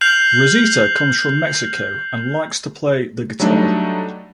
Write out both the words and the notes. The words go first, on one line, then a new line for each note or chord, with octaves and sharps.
Rosita comes from Mexico and likes to play the guitar.
F6 G6 C7 F7 F#7
F#3 G3 A3 D4 D#4